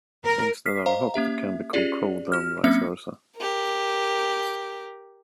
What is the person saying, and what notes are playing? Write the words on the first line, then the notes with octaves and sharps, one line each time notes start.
Things that are hot can become cold and vice versa.
A#4
F6 B6 C7
C5 D#5 F5 A#5
A#3 C#4 G4 E5
C#4 F4 G4 G#4 D5
F#4 F6
F#3 A#3 C4 C#4 E5 C#7
G4 A#4